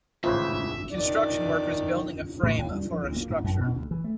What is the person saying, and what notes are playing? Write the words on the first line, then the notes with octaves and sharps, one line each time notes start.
Construction workers building a frame for a structure.
G#1 A2 C#3 E3 F4 C5 E5
D#3 D5
A2
D#2
G3
F3
D2
A#3
G#2
F#2
B2
D2
E3
A3